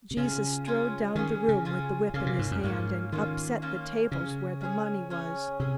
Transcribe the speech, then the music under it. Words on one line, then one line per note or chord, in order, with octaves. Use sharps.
Jesus strode down the room with the whip in his hand, and upset the tables where the money was.
C3
C#3 C#4 F4 G#4
C#4 F4 G#4
D#3 C#4 F4 G#4
C#3
C#4 F4 G#4
C#3 A#3 C#4 F4
C3
G#2
F#2
G#2 A#3 C#4 F4
D#3 A#3 C#4 F4
A#3 C#4 F4
C#3 C#4 G#4 C#5
C#4 G#4 C#5
C#4 G#4 C#5
C3 C#4 G#4